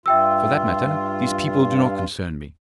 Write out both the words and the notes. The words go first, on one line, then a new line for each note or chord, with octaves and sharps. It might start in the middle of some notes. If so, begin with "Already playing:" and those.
For that matter, these people do not concern me.
G2 F4 E5 G5 E6